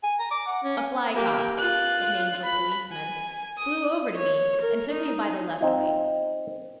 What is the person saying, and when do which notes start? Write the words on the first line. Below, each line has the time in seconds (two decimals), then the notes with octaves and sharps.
A fly cop--an angel policeman--flew over to me and took me by the left wing.
0.03 G#5
0.19 A#5
0.31 D6
0.47 F#5
0.63 C#4
0.78 G#5
1.14 A#3 G4
1.58 F4 F#6
2.44 B5
2.91 G#5
3.58 D#6
4.16 C#5
4.61 A#4
4.92 D#4
5.61 C4 D#4 F4